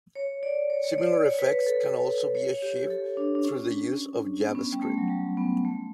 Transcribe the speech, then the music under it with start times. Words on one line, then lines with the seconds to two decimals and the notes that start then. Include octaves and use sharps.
Similar effects can also be achieved through the use of JavaScript.
0.15 C#5
0.43 D5
0.70 C#5
0.84 C#5
0.98 D5
1.12 C#5
1.25 C#5
1.39 B4
1.67 A4
2.35 C#5
2.62 G4
2.76 G4
2.90 A4
3.17 D4
3.35 D4
3.45 C#4
4.46 B3
4.55 C#4
4.72 G3
4.82 A3
4.98 F#3
5.09 G3
5.37 B3
5.65 A3